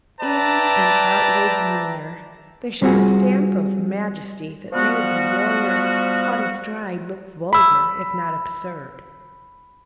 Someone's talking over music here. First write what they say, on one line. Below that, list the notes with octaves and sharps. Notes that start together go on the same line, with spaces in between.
Even in outward demeanour they showed a stamp of majesty that made the warrior's haughty stride look vulgar, if not absurd.
B4 D5 E5 G5 A5 A#5
G3 C4 F4 F#4 G#4
F3 G3 B3 F#4
B5 E6